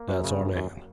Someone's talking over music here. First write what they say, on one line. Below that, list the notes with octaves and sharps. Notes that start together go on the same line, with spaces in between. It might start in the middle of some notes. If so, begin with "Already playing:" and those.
That's our man.'
Already playing: A#3
F#2
C#3
F#2
F#2